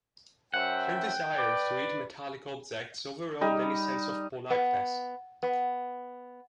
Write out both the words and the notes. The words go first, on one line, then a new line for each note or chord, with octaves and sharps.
Her desire to eat metallic objects over-rode any sense of politeness.
F#2 C5 E5 F#5 G5
B4 D5
G3 D#4
B3
B3